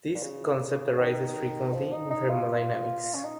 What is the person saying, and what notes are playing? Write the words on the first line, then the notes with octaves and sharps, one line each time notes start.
This concept arises frequently in thermodynamics.
A#2
C#3
D#3
F3
D#4
D#4
F4
C#4
D#4